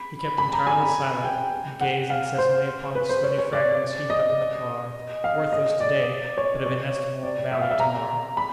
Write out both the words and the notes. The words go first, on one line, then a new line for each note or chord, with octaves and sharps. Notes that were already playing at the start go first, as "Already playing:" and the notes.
He kept entirely silent, and gazed incessantly upon the stony fragments heaped up in the car--worthless to-day, but of inestimable value to-morrow.
Already playing: B5
B5
A#5
G#5
G5
F#5
F5
C5
B4
C5
C#5
C#5
D5
D#5
F5
D#5
D5
C#5
C#5
D5
E5
F5
E5
A#5
B5